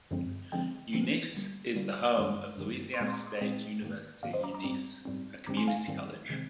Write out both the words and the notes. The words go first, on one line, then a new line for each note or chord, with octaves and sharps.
Eunice is the home of Louisiana State University Eunice, a community college.
G2 D3 F3 G#3 C4
D3 F3 G#3 C4 D#5 G5
D3 F3 G#3 C4
D3 G3 A#3
D3 G3 A#3
G2 D#3 G3 C6 D#6
G2 D#3 G3
C6
A#2 G#3 C4 A#5 D6
C6
A#5 D6
C6 D#6
A#2 G#3 C4 D#5 G5
G#2 D#3 A#3
G#2 D#3 A#3 D5 F5
C5 D#5
A#5 D6
A#5 D6
G#2 G3 C4
G#2 G3 C4
G#2 D#3 G3 C4 A#5 D6
G#5 C6
F5 G#5
G#2 D#3 G3 C4
C3 D#3 G#3 C4